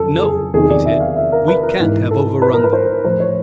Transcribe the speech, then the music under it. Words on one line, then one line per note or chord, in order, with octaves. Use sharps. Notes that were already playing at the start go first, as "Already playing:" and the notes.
"No," he said, "we can't have over-run them."
Already playing: F2 C#3 F#3 A4
A4
G#4
E2 C3 D#3 G#4
D5
E5
F5
E5
A#4
B4
A#4
G#2 E3
A4
B4
A#4
B4
C5
A2 F3 C5
C#5